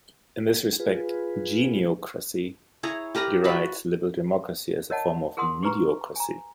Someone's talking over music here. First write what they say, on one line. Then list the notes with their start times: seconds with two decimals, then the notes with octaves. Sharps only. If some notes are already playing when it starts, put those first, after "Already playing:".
In this respect, Geniocracy derides Liberal Democracy as a form of "Mediocracy".
0.80 F4 G#4 B4
2.83 E4 G#4 C#5 A#5
3.15 G4 A#4 B4 A#5
3.44 F#4 A5 B5
4.90 A#4 C#5 D#5 F#5 A5
5.37 G#4 A#4 F#5 C6 D#6
5.63 G4 G#4 B4 A#5 C#6
6.16 G#5 A#5